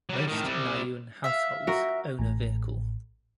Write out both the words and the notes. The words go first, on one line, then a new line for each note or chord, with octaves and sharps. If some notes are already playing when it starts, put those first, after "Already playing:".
Most Niuean households own a vehicle.
F#3 G3
A2 D#3
C3 G3
E5 F5
F#4 A#4
A1 A2